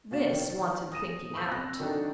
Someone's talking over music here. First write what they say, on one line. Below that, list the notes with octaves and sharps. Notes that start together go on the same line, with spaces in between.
This wanted thinking out.
B2 F#4 F5 A6 E7
D#3
D#6 A#6 D#7 E7
B5 C#6 E6 G6
C4 F#6 A#6
D#3 F#3 D4 D#4 A4